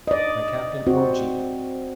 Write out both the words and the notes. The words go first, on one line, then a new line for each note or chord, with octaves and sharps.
By Captain O.G.
D5 D#5
C4 F#4